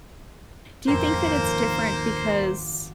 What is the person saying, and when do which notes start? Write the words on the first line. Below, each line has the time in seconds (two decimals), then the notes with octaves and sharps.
Do you think that it's different because
0.88 D#1 G#1 F2 A#3 C5
1.35 D#2
2.40 F#5 D6